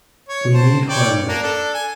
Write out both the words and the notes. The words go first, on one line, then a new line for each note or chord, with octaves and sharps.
We need harmony.
C#5
C5 A5
C#5 D5 G5
A#3 D4 A#4
D4 A4
G#5